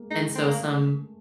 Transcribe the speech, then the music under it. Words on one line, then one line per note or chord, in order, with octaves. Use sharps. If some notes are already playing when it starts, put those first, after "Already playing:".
And so some
Already playing: G#3 A#3
G#3 D#4
A3 C4
A#3